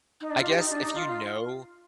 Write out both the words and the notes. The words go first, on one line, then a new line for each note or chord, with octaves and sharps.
I guess if you know
D#4
D4
F4
G4
D#4
D4
D#4
F4
F4